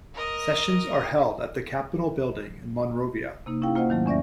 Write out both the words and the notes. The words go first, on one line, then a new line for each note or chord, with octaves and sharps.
Sessions are held at the Capitol Building in Monrovia.
A#4 D#5
C3 A#3 D#4
C#4 E4 G#4 F5 G5
A#3 F4 C5 D#5 F#5
G#2 D#3 F#3 A3
E2 C#4 D5 E5 A#6